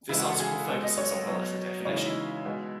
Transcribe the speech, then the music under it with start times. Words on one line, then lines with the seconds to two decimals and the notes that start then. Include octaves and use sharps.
This article focuses on the latter definition.
0.09 C#3 E3 G#3 E4
0.19 F#4
0.29 A4
0.40 G#4
0.69 B2 G#3 A4
0.83 D#5
0.98 C#5
1.27 B2 F#3
1.85 C#3 E3 G#3 C#5
1.96 D#4
2.05 E4
2.45 B2 G#3